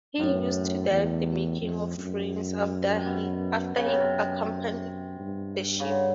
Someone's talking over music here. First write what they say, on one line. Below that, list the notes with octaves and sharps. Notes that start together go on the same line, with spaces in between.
He used to direct the making of frames after he accompanied the ship.
F#2 A2
E2
F2
F#2
C3
B2
F#2 C#3
C3
B2
C3
G2
C#3
D3